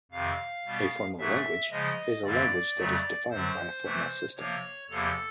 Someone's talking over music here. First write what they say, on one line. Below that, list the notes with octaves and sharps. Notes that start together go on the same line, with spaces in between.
A formal language is a language that is defined by a formal system.
F2 C3 D#3 F5
B2 G3 B3
G#2 E3 A3 E5
C#3 F3 G#3 D#5
F#2 D3 G3 A#3 D5
F2 C#3 F#3 A3
F#2 D3 F#3 C5
C3 E3 A3
C3 F3 A#3 C#5
E2 C3 F3 A#3 A4